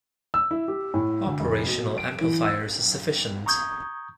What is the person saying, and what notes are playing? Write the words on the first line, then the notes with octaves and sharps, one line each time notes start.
Operational amplifiers are sufficient.
E6
E4
G4
A2
D2
F1
B2
D7
E3
E6
A#5 C#6 D#6 G6 G#6